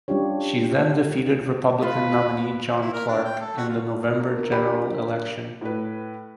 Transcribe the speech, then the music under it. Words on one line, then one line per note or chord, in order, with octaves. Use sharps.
She then defeated Republican nominee John Clark in the November general election.
G3 C#4 D4 F4 G4 C#5
F4 B4
E4
A#4
D4
G5
A4
F#4
F4
D3 A#4
G4 B5
A2 B4